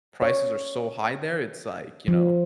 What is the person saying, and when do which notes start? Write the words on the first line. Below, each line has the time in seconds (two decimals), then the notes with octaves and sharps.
prices are so high there, it's like, you know
0.22 C#5
2.08 F3